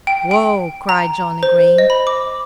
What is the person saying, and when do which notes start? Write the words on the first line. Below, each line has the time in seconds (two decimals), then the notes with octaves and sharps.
"Whoa!" cried Johnnie Green.
0.07 G5
0.31 G5
0.89 A#5
1.43 C5
1.78 D#5
1.90 B5
2.07 D6